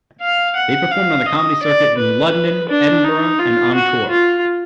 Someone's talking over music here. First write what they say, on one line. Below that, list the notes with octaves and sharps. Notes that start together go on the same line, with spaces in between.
They performed on the comedy circuit in London, Edinburgh and on tour.
F5
F#5
F5
D#5
D5
B4
D4
D#4
F4
F#4
F4